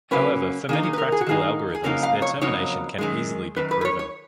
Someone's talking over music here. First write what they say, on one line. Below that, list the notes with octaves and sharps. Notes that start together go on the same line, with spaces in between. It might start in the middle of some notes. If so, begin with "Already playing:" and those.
However, for many practical algorithms, their termination can easily be proven.
C#3 F#3 A#3 C#4 B4
D#3 A#3 D#4 G#4
G#4
B4
A#4
G#4
F#4
D#3 A#3 D#4 G#4
G#4
F2 C#3 F#3 A#3 D#4 A#4
F5
C#5
F2 C#3 F#3 A#3 D#4 C#5
F#2 D#3 G#3
F#2 D#3 B4
B4
B4
C#5
C#5